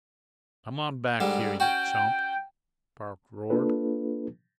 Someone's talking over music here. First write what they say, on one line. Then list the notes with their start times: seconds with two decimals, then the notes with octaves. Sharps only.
"Come on back here, yuh chump!" Park roared.
1.20 G#2 D3 G3
1.60 C#4 F#4 G5
3.50 A#3 D4 F4 A4 B4